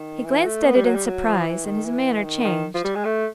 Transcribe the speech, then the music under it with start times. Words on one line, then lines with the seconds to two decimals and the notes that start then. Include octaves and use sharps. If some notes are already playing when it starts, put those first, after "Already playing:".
He glanced at it in surprise and his manner changed.
Already playing: D#3
0.25 E3
0.46 A3
0.65 B3
0.75 G3
0.85 F#3
0.95 G3
1.06 F#3
1.25 F3
1.46 E3
1.65 D#3
1.85 E3
2.24 D#3
2.45 D#3
2.74 F3
2.84 G3
2.95 G#3
3.05 A3